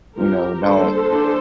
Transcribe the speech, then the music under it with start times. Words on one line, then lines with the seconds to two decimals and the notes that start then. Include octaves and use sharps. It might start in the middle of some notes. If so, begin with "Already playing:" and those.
you know, don't,
0.17 F3 C4 G4 A#4
0.64 D3 G3 A#3 D4 A4 C5
1.10 E3 A#3 D4